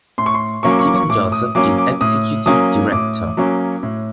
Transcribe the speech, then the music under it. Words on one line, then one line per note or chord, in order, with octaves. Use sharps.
Stephen Joseph is Executive Director.
A2 C6
C#6
C6
F#3 A#3 C#4 C#6
D6
C#6
D6
C#6
A2 D6
D#6
F#3 A#3 C#4 D6
D6
A2 D#6
F#3 A#3 C#4 D#6
A2 D6
F#3 A#3 C#4
A2